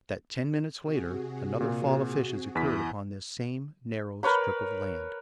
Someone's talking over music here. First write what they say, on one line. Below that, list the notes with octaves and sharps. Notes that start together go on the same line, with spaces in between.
That ten minutes later another fall of fishes occurred upon this same narrow strip of land.
C3 F#4 G#4
A#2
E2 E4 D#6 F#6 G6 B6
A#4 B4 C#5 B5